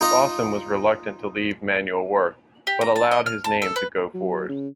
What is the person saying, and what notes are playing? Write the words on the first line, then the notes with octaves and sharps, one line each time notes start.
Lawson was reluctant to leave manual work, but allowed his name to go forward.
D#4 F4 D#5
G4
A#5
A5
D#5
F6
A5
A4
B4
F#3
C#3